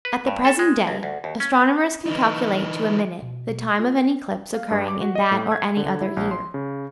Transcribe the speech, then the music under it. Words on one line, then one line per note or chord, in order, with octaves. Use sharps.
At the present day astronomers can calculate to a minute the time of an eclipse occurring in that or any other year.
B4
G2
A4
G#3
C#2
D2
D#2
C#4
E3 D#4
B2
B2
F4
F5
G2
D6
F#4
D#5
A2
G#6
D3
E4
A#1
C6
C#3